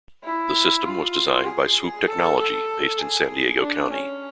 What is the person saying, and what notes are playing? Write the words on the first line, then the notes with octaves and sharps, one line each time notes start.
The system was designed by Swoop Technology, based in San Diego County.
E4
F4
G#4
A4
A4
G#4
D4
C#4